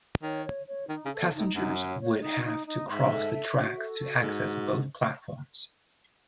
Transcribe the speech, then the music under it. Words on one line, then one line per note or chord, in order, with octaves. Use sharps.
Passengers would have to cross the tracks to access both platforms.
D#3 C#5
C#5
C#5
D#3 D#4
C#3
A4
B2
A2 D#4
F#2 D#4
C#5
C#5
D#4
D#4
D#4
G#2 E5
A4
E5
F#4
A4
F#4
G#2 F#4